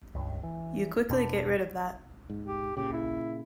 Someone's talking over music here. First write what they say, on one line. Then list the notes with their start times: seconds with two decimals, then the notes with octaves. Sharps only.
You quickly get rid of that.
0.15 C#2 G2
0.43 E3
1.09 E2 B2 C4 D4
2.30 G#2
2.45 G4
2.77 A#2 C#3 G4
2.93 E4